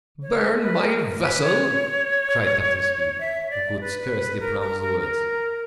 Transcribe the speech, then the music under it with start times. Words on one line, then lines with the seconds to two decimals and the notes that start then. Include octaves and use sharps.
"Burn my vessel!" cried Captain Speedy, who could scarcely pronounce the words.
0.22 C#5
0.61 B4
0.81 A#4
1.21 B4
1.42 C#5
3.20 E5
3.50 D5
3.81 B4
4.40 A#4
4.60 A#4
4.80 A#4
5.00 A#4